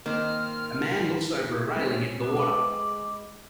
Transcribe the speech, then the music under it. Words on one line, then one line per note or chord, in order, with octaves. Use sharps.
A man looks over a railing into the water.
D#3 A#3 C4 F6
G#3 C4 C#4
B2 B3 B4
G#3 G#4 B5 D6